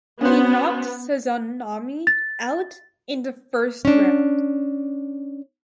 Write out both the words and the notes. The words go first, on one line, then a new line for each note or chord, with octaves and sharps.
He knocked Sazanami out in the first round.
B3 C#4 F#4 C5
A6
C#4 D4